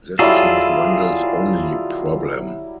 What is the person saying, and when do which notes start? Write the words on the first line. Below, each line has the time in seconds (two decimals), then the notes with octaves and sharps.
This is not Wendell's only problem.
0.19 F#3 G3 E4 F4 G#4 A4